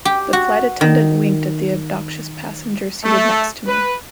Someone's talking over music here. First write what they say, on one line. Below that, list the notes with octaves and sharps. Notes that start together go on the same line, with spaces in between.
The flight attendant winked at the obnoxious passenger seated next to me.
G4
F#4
D#3
A3
B4